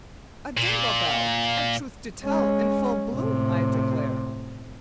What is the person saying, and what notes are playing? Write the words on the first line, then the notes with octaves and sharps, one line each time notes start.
"A dingle-bell, and truth to tell In full bloom, I declare!"
A#2
G#3 C#4
A2 C3